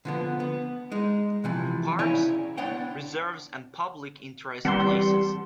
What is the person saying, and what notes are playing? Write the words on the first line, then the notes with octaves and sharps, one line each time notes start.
Parks, Reserves and public interest places.
D3 F3 B3
B3
G#3 D#4
C3 E3 F3
C#3 D#4 E4 C#5 D5 G#5
B3 D4 C#5 F#5 G5
E3 G3 C4 F#5 A5 C6